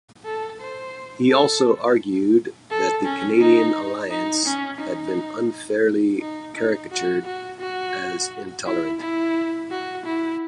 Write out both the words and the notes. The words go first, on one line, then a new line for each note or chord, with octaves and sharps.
He also argued that the Canadian Alliance had been unfairly caricatured as intolerant.
A4
C5
A4
A4
C#4
D#4
D#4
C#4
D#4
D#4
D#4
F#4
F#4
F#4
E4
E4
F#4
E4